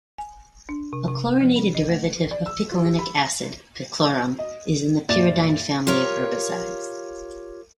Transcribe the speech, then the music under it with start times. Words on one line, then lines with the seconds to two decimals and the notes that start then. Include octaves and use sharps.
A chlorinated derivative of picolinic acid, picloram is in the pyridine family of herbicides.
0.18 G#5
0.69 D4
0.93 C3
1.08 C3
1.41 F3
1.56 C#4
1.75 D#5
1.89 A3
2.31 D5
2.46 E6
2.72 F4
2.84 G4
2.99 B5
4.39 D#5
5.08 F#1 A#2 D5 A6
5.87 F4 G4 A#4 C#5